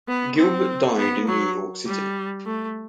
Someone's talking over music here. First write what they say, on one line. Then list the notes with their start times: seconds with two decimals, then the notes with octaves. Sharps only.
Gilbert died in New York City.
0.08 B3
0.38 C4
0.97 B3
1.27 F#3
1.86 G3
2.45 A3